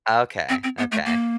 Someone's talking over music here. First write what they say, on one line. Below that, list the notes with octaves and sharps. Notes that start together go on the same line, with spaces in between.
Okay, okay,
C4
C4
B3
A3
A#3